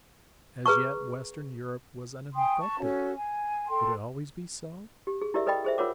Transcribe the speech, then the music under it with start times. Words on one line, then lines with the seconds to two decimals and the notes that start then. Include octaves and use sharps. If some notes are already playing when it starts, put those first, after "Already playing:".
As yet western Europe was uninfected; would it always be so?
0.66 G#4 B4 A#5 C#6
2.35 G5 G#5 C6 D#6
2.58 A5 C#6
2.79 C#4 F#4 A4
3.14 G#5
3.67 A4 G5 C6
5.07 G4
5.22 G#4
5.34 E4 G4 A#4 D5 E5
5.47 A4 B4 D5 D#5 G5 B5
5.64 G#4 C5 E5
5.78 F4 A#4 B4 C#5 F#5 D6